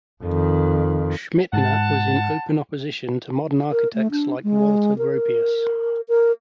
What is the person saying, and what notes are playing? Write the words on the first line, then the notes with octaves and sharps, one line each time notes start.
Schmitthenner was in open opposition to modern architects like Walter Gropius.
F2 D#3
G#2 F#5 A5
A#4
A3
D4
G#3
A#4
A#4